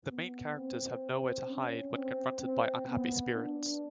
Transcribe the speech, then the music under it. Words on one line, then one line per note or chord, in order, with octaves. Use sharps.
The main characters have nowhere to hide when confronted by unhappy spirits.
B3
C4
C#4
C4
C4
B3
D4